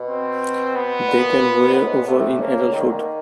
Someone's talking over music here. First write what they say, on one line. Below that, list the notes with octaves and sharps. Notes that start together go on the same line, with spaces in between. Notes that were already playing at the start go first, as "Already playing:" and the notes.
They can weigh over in adulthood.
Already playing: B2
C4
B3
A#2
G#2
A2 B3
G#2
A#2
C3 A3
C3
C3
C#3 A#3
D#3 A#3
D3
D#3